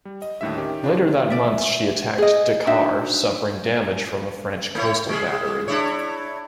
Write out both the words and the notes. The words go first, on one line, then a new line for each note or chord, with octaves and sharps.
Later that month she attacked Dakar, suffering damage from a French coastal battery.
G3
D#5
D#2 A2 D3 G3 E5
D#3 C#4 G4
D4 F4 G#4 C#5
D5 E5
G#4 D#5
D4 D#4 F#4 E5
A3 E4 C#5
G3 G#4
D4 E4 C#5